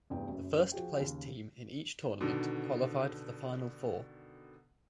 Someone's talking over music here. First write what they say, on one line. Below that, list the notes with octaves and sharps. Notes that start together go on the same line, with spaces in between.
The first placed team in each tournament qualified for the final four.
F1 E2 G2 G5
F#1 F#2
F3 F#4 G#4 G5
D#2 C#3
B2 D3 D#3